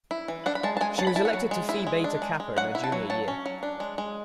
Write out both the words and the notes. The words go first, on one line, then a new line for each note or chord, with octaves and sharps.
She was elected to Phi Beta Kappa in her junior year.
E4
E3
D4 F#5
B5
G#3 A5
A5
G#3 G#5
F#3 A5
B5
E4 A5
F#5
F#3
G#3
E4
G#3
D4
G#3
G#3
F#3 F#5
E4
A5
F#3
F#3 A5
C#4
F#3
D4
G#3
G#3